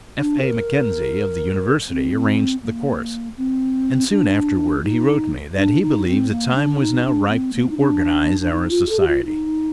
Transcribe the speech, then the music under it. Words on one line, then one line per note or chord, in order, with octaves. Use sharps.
F. A. McKenzie of the university arranged the course, and soon afterward he wrote me that he believed the time was now ripe to organize our society.
D4
A#4
C4
A#3
C4
D4
D#4
D4
D#4
C4
A#3
D4
D#4
D4
C4
A#3
D#4
D4
D4
D#4
F4
A4
G4
F4
D#4